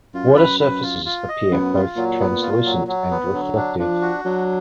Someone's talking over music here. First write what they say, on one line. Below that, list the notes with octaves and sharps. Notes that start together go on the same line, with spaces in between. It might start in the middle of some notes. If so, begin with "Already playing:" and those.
Water surfaces appear both translucent and reflective.
F#2 F4
B4
B4
F4
F4
D#5
F#2 B3
F4
A#2 F#3
B3
F4
F#3
F#3
B3
D3 F#3
D4
F3 D4
F#4
F#3 D4